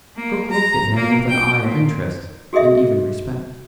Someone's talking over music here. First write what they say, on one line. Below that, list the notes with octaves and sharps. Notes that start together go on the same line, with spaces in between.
Crook looked at him with an eye of interest and even respect.
A#3
A#5
A#3
G5
A#2
F#4 G#4 A4 D#5 E5